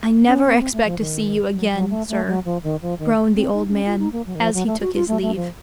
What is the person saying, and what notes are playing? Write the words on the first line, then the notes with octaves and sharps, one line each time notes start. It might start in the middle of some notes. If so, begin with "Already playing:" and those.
"I never expect to see you again, sir!" groaned the old man, as he took his leave.
C#4
C4
C4
A3
F3
D#3
F#3
F#3
A3
A3
F#3
F3
D#3
F3
D#3
C4
D#4
D#4
C#4
F4
D#4
A#3
F#3
D#3
F3
F#3
A3
F#4
F4
A3
A3
F3